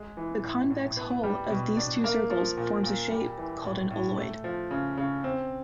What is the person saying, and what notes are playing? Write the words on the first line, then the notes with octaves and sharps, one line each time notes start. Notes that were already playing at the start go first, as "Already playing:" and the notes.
The convex hull of these two circles forms a shape called an oloid.
Already playing: G#3
E3
A2
A2
B3
G3
B2
D4
A#3
F3
A#2
A#2
G3
E3
A2
A2
A3
F3
C#3
C#3
C4